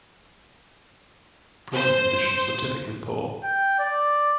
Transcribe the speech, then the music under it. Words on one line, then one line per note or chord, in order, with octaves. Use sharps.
Prison conditions were typically poor.
C5
G5
D5